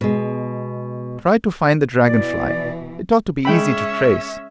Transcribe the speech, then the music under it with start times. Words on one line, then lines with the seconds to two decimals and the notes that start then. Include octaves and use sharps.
Try to find the Dragon Fly--it ought to be easy to trace.
0.01 B2 G#3
2.05 B2 E3 D5
3.45 G#3 C#4 E5 G5 B5